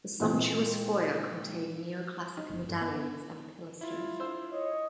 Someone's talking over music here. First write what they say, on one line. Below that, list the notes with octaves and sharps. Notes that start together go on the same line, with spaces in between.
The sumptuous foyer contained neoclassic medallions and pilasters.
A#2 E3 G#3 C4 G#4
D#4
F#1
G2
B3
E4 F4
C5 E6
C#5 D#5